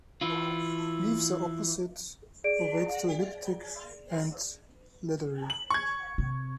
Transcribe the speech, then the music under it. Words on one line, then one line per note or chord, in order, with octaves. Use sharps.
Leaves are opposite, ovate to elliptic, and leathery.
E3 E4 F4
G#4 D5 D7
F#7
C#6 G#6
C3